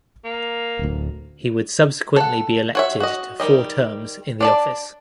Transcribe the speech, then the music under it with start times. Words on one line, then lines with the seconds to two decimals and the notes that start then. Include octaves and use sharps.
He would subsequently be elected to four terms in the office.
0.25 A#3
0.79 D1 D2
2.16 A4 F#5
2.75 F#4 C#5 E5
3.00 F#4 D#5
3.40 D#3 G3 D#5
4.41 D4 D5 A5